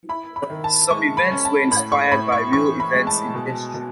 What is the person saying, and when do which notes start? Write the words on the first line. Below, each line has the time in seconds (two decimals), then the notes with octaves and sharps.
Some events were inspired by real events in history.
0.09 E4 B5
0.36 B5
0.50 D#3
0.64 A5
0.90 G#3 C#6
1.17 B5
1.31 C#4
1.45 A5
1.71 A2 B5
1.92 C#6
2.12 A2 B5
2.32 C#6
2.52 E3 C#6
2.80 B5
2.93 G#3
3.07 A5
3.34 B2
3.74 B2